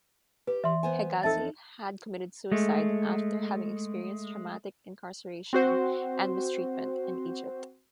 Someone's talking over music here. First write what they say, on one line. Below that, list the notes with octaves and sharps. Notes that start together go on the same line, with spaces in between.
Hegazi had committed suicide after having experienced traumatic incarceration and mistreatment in Egypt.
G4 B4
E3 E5 C6
B3 C5 G#5
F2 D#4 A4 E5 A5 E6 A6
G#3 A3
C4 F#4 C5